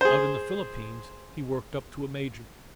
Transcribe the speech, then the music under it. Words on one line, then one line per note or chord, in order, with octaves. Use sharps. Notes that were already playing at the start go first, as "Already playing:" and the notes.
Out in the Philippines he worked up to a Major.
G#4 C5